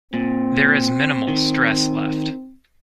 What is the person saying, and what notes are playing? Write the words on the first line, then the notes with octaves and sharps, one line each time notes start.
There is minimal stress left.
A#2 C4
D#3